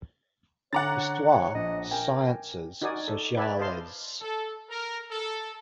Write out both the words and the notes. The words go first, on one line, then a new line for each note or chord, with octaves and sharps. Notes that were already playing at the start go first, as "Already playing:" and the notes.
Histoire, Sciences Sociales.
D3 C#5 F#5 A#5 D6 A6
C#5
A#1 D#5
A#4 G5 G#5
D#4 F#4 A#4 D5 G#5 D#6
A4
B4 D5 E5 G#5 A5
C5 D#5 F5 A5 C6
A4
A#4
A4